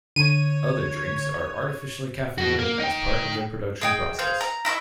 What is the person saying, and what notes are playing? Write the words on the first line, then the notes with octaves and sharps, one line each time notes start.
Other drinks are artificially caffeinated as part of their production process.
D3 C#5 D#7
B2 F#4
A#3
D#4 G5
G#4 D#5 G5
G#4 C5 F5 G6
A#5
E4 D#5 E5 C#6